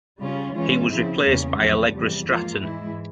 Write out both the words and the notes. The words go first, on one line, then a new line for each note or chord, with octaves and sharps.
He was replaced by Allegra Stratton.
C#3 G3 C#4 F4
E3 G#3 C#4 F4
C#3 F3 C4 E4
E2 C#3 G3 A#3 C#4
E2 C3 F3 G#3
E2 C3 G3
G#2 F3 A#3 F4
G#2 E3 G#3 E4